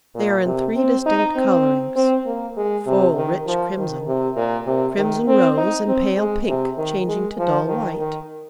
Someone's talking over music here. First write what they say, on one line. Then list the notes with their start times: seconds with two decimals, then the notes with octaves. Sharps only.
They are in three distinct colourings--full rich crimson, crimson-rose, and pale pink changing to dull white.
0.15 A#2
0.46 C3
0.75 C4
1.06 D#4
1.36 C4
1.96 C4
2.26 A#3
2.57 G#3
2.86 C3
3.17 D#3
3.47 F3
3.77 D#3
4.07 C3
4.36 A#2
4.66 C3
4.97 D#3
5.27 C4
5.57 D#4
5.87 C4
6.18 G#3
6.48 C3
6.78 D#3
7.08 G#3
7.38 F3
7.68 D#3
7.98 D#3